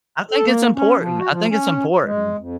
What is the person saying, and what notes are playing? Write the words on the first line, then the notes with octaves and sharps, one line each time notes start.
I think it's important, I think it's important.
A4
A#3
C#4
F3
F#4
F3
C#4
G#3
F2